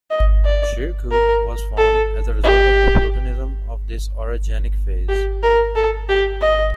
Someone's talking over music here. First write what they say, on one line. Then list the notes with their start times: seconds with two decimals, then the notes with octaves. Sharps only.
Shir Kuh was formed as a result of the plutonism of this orogenic phase.
0.10 D#5
0.45 D5
1.11 A#4
1.77 A4
2.44 G4
5.09 G4
5.43 A#4
5.75 A4
6.09 G4
6.41 D#5